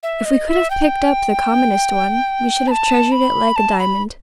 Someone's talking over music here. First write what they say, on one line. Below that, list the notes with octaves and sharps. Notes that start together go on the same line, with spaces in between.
If we could have picked up the commonest one, we should have treasured it like a diamond.
E5
D#5
E5
G5
B5
A5
B5
A5
B5